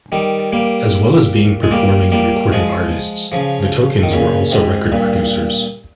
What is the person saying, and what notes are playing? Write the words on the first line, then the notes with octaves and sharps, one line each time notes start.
As well as being performing and recording artists The Tokens were also record producers.
D#3 G3
G3 A#3
G#3
G3 A#3
G3 A#3
F3 G#3
C#3 F3
D#3
A#2 C#3
G#2 C3
G2 A#2